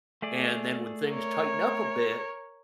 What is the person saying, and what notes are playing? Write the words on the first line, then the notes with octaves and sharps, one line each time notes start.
and then when things tighten up a bit,
A3 G#4 D5
A#4 C#5